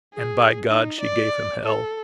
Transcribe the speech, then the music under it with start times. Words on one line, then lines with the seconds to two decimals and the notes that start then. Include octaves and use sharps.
And, by God, she gave him hell.
0.14 G#4
0.69 D#4
1.00 D5
1.65 A4